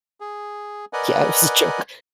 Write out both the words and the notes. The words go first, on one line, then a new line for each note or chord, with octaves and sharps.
Yeah, it was a joke.
G#4
A#4 B4 D5 D#5 F#5 G#5